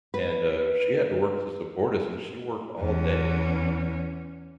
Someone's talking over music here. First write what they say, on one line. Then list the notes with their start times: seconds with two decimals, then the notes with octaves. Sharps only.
and, uh, she had to work to support us and she worked all day,
0.14 B4
2.79 E2 C#4